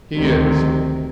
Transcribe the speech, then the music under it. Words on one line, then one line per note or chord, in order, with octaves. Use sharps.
"He is."
D2 C3 D#3